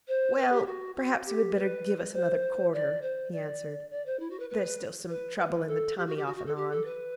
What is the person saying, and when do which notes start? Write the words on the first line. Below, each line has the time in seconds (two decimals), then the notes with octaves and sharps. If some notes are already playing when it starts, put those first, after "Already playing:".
'Well, perhaps you had better give us another quarter,' he answered: 'there's still some trouble in the tummy off and on.'
0.07 C5
0.36 B4
0.52 G4
0.66 F#4
0.95 F#4
1.25 G4
1.55 B4
2.13 C5
2.73 D5
3.01 C5
3.32 D5
3.90 D5
4.06 C5
4.19 E4
4.30 F#4
4.39 B4
4.50 B4
5.09 B4
5.38 B4
5.67 A4
5.96 G4
6.07 F#4
6.16 G4
6.26 F#4
6.36 F#4
6.46 A4
6.55 G4
6.71 A4
6.85 B4